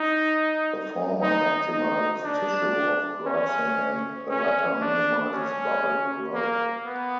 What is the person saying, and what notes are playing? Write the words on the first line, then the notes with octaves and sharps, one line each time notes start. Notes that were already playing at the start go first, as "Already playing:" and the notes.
The former maximises tissue off-gassing and the latter minimises bubble growth.
Already playing: D#4
D#4
D#4
D4
C#4
C#4
D4
C#4
A#3
B3